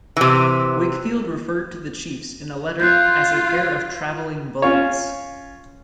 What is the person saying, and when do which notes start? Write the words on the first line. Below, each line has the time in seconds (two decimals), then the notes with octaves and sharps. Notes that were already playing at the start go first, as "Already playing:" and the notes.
Wakefield referred to the chiefs in a letter as a pair of "travelling bullies".
0.17 C3 E3
2.80 F4 F#6 G6
4.62 C#4 F4 C#5